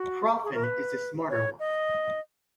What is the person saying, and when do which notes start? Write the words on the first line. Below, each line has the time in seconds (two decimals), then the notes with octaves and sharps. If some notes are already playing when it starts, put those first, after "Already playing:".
Proffen is the smarter one.
Already playing: F#4
0.44 G#4
0.54 A#4
0.63 B4
1.30 C#5
1.60 D#5